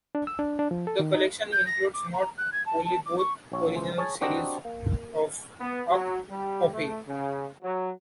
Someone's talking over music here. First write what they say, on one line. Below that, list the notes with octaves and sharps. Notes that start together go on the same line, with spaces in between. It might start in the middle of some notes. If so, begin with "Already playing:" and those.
The collection includes not only both original series of Up Pompeii!
D4
E6
D4
D4
F3
A4
D#3
D#4
G6
A#6
D6
A#5
F#6
G#6
A5
A5
D6
C#6
A#1 C#5
C#2 E3 C5
G#4 C#5 G#5 A5
C4 D4 F#4 G4 D#5 A#5
A#3
B3
F#3
G3
A3
C#3
F#3